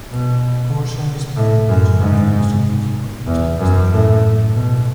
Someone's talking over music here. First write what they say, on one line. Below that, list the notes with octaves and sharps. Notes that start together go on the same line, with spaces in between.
Purcell is part of the Joplin, Missouri Metropolitan Statistical Area.
B2
A2
F#2
G#2
E2
F#2
A2
B2